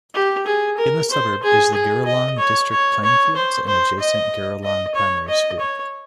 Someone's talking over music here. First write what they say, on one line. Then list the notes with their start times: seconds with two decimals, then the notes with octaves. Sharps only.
In the suburb is the Giralang District Playing fields and adjacent Giralang Primary School.
0.14 G4
0.46 G#4
0.77 A#4
1.11 C5
1.43 G#4
1.74 G#4
2.06 D#5
2.38 C#5
2.71 C#5
3.04 C#5
3.36 C5
3.67 C5
4.00 D#5
4.64 D#5
4.95 C#5
5.29 D#5
5.60 C#5